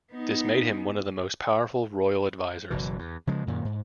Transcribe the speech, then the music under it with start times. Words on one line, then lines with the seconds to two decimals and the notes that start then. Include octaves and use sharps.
This made him one of the most powerful royal advisers.
0.12 B3 D#4
2.70 F#1 B2 E3
2.99 E2
3.27 C#3 F3 G#3
3.47 F#2 A#2 D#3
3.65 G#2